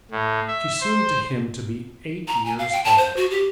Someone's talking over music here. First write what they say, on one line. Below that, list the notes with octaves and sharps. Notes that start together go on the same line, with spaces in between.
She seemed to him to be eight years old.
A2
E5
C5
A#5
G#5
F5
G5
A5
C5
F#4
G4